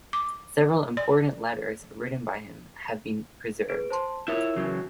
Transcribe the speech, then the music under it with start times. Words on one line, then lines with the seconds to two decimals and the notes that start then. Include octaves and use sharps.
Several important letters written by him have been preserved.
0.13 D6
0.97 D5
3.69 G#4 B4 D7
3.90 C5 A5 C6
4.28 E4 F4 A#4 C#5 E5
4.56 E2 C#3 F#3